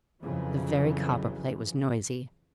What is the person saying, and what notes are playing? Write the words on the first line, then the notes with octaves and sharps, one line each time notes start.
The very copperplate was noisy.
F2 C#3 E3 F#3